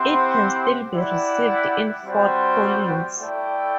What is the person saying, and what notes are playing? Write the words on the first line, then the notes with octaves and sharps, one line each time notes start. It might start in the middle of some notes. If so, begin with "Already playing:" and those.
It can still be received in Fort Collins.
Already playing: C4 E4 G4 C5 F#5
E4 G4 D5 F#5
G3 C4 F#4 C5 G5
A3 E4 A4 D5 G5